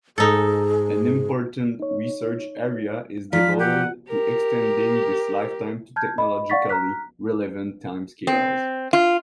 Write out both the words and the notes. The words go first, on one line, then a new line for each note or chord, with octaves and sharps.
An important research area is devoted to extending this lifetime to technologically relevant timescales.
G#2 D#4 G#4 A4
D#4 C#5
F3 F4 D5 F5 A#5 B6
G4 F#5
G4 A#4
A5 F6 G6 G#6
D#5 B5
D5 F5 F#5 C#6 A6 B6
A#5 F6 F#6 B6
C4
F4